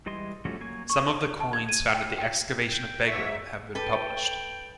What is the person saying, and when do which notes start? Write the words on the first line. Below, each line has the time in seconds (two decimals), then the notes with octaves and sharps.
Some of the coins found at the excavation of Begram have been published.
0.06 E3 G3 G#3 D#5 C6
0.45 F3 G3 A3 C#4 F#4
0.60 F#3 A#3 G#5 C#6
0.90 C#6
1.40 A5
1.53 G#6
1.69 D#7
1.94 G5
2.18 G5
2.69 G5
3.07 G#2 C#5 E5
3.75 A4 B4 G5